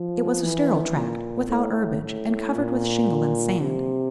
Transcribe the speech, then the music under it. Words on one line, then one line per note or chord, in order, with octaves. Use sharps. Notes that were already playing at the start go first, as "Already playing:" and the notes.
It was a sterile tract, without herbage, and covered with shingle and sand.
Already playing: F3
E3
A#2
A2
A2
A#2
C3